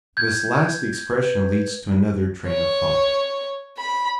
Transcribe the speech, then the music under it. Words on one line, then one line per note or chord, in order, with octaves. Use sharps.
This last expression leads to another train of thought.
G6 G#6
B4
C#5
B5